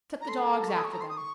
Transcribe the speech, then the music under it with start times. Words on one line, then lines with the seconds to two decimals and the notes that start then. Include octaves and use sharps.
'Set the dogs after them.'
0.21 A#5
0.28 A4 C6
0.61 A#5
0.68 C#6
0.78 D#6
0.84 C#6
0.93 A#5
1.01 C6
1.09 D#6
1.17 C#6